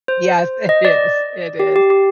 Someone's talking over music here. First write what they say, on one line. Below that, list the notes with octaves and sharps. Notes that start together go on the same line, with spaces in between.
Yes, it is. It is.
C5
D#5
D5
G4
G4
G4